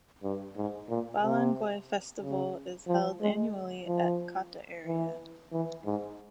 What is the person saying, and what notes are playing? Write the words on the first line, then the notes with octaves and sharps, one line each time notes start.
Balanghoy Festival is held annually at Cotta area.
G2
G#2
A#2
C3
C#3
F3
G#3
F3
E3
E3
G#2